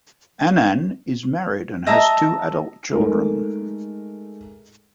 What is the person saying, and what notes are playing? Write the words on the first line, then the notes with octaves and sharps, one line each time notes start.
Annan is married and has two adult children.
D#5 E5 A5 A#5
G#3 A3 D#4 A4 A#4